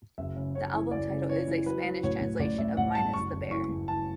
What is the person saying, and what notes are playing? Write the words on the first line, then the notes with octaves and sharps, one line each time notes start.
The album title is a Spanish translation of Minus the Bear.
F#1 E5
C#3
C#3 C#5
E3
F#1 D5
C#3
E3 C#5
E3
F#3 B4
F#3
A1 C#5
A1
A1 D5
A1 E5
A1 F#5
G2 A5
F#1 C#6
F#1
E3 C#6
F#1
E3 A5